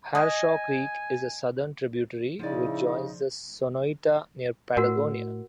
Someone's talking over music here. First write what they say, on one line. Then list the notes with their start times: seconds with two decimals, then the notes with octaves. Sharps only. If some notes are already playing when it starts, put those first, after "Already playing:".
Harshaw Creek is a southern tributary which joins the Sonoita near Patagonia.
0.15 D#5 G#5
2.39 C#3 F3 D#4 E4 G#4 D5
4.77 A2 F#4 A#4 F#5